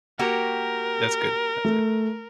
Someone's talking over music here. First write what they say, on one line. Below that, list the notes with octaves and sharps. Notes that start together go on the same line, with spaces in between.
That's good, that's good.
A#3 F#4 G4 A#4
A3